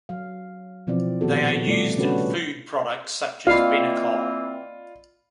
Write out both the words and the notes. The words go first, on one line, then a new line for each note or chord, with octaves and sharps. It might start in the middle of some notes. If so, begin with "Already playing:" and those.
They are used in food products such as Benecol.
F#3 F5
B2 E3 F3 C4 D5
A#2 D#3 B3 F#4 G4 A4
G3 A3 F4 D5
C#3 C#4 D4 F#4 A4 B4
E3 A#3 C4 F4 D5 D#5 F5 B5